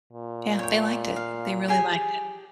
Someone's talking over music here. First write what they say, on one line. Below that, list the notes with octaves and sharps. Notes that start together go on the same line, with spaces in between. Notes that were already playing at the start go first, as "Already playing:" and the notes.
Yeah, they liked it. They really liked it.
A#2
C#5 G5
F5
G4 G#4 G#5